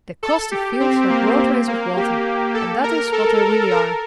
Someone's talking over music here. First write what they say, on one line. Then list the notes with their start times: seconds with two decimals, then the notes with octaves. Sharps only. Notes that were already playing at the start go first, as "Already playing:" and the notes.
They cross the fields like roadways of water, and that is what they really are.
0.23 A4
0.51 G4
0.80 C4
1.10 A#3
1.38 C4
1.68 A#3
1.97 G4
2.54 A4
2.84 A#4
3.12 A4
3.71 A#4